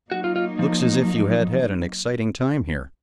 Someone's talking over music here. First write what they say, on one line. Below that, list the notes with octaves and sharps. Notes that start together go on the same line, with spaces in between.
"Looks as if you had had an exciting time here."
F#3 A#3 D#4 F#4
F4
F4
F3